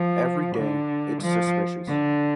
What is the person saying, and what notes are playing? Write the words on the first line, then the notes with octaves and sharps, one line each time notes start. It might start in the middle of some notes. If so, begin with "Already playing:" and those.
Every day... it’s suspicious!
Already playing: F3
D3
F3
D3